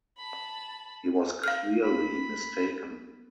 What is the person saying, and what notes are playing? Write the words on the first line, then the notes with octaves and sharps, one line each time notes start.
He was clearly mistaken.
A5 B5
F5 F6
B5